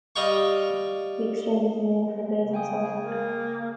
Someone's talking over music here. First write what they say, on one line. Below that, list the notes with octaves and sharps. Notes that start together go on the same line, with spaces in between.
He exchanges the moon for the blazing sun.
G3 D#5 F5 G5 C#6
C#3
G5 G#5 D#6
G#4
A#3